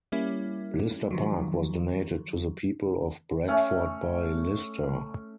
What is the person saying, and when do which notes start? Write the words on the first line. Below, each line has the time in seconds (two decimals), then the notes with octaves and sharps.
Lister Park was donated to the people of Bradford by Lister.
0.12 G3 A#3 C#4 E4
1.11 D#3 F3 F#3
3.48 A3 C#4